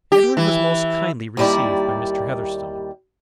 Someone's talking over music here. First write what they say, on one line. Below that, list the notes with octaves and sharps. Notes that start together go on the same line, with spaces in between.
Edward was most kindly received by Mr. Heatherstone.
G4
E3
D#2 D#3 G3 E4 D5